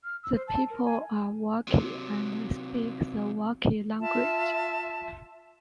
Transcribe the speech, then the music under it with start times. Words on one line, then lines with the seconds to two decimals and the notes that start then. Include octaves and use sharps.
The people are Wakhi and speak the Wakhi Language.
0.03 F6
0.23 E6
0.34 C5
0.47 A5
0.70 A#4
0.85 G#5
1.68 C3 F#3
4.00 F4 E5 A5